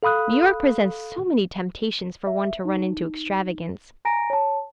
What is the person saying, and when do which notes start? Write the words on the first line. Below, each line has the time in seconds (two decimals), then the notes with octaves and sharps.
New York presents so many temptations for one to run into extravagance.
0.03 A4 F5 B5 D#6 F#6
2.27 E5
2.65 D#4
4.05 G#5 A#5 A#6 D7
4.30 C#5 A5